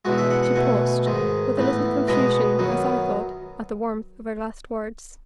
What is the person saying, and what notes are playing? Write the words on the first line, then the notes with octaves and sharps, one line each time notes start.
She paused, with a little confusion, as I thought, at the warmth of her last words.
E2 B2 G#3 F#4
E5
F#5
F#5
B2 A3 G#5
G#2 D#3 G#3
A2 E3 B3
B2 G#3 B3 D#5
F#2 D#3 F#3 B3